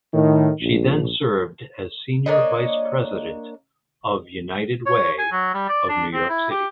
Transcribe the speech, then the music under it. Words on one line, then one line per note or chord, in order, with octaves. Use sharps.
She then served as senior vice president of United Way of New York City.
A2 D#3
A#1
A#3 D4 C#5 D#5
C#5
G#5
F#3
G3
D5
D4
C4
E4
G4